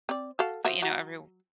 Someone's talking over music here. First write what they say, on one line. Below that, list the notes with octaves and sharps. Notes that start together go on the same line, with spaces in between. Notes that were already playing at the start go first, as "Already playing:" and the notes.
but, you know, every
C4 D5
F#4 A4 F5
F3 F#4 E5
F#3